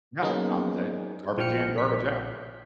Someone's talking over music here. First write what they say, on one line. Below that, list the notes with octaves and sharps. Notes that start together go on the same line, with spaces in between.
Yeah, I mean, they "Garbage in, garbage out."
F#3 A#3 B3 C#4 D#4 G#4
A#1 F3 G5 F6 C#7
A#1 B6